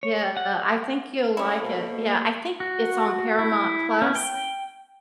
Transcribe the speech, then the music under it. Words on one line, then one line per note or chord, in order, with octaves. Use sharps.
Yeah, I think you'll like it. Yeah, I think it's on Paramount+.
C#5
F#5
C#4 E4 C#5 F#5
B2 A#3 A4 C5 F5
F#4
E4
C#4
G5